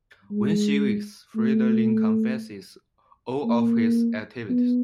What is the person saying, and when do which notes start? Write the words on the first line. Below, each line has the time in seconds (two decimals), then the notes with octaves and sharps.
When she wakes, Fridolin confesses all of his activities.
0.31 G#3
1.36 A3
3.45 A#3
4.49 B3